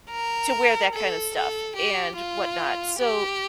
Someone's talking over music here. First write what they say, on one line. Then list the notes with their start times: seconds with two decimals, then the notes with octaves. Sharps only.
to wear that kind of stuff and whatnot. So,
0.11 A#4
0.94 A4
1.35 A4
1.76 G4
2.17 F4
2.99 G4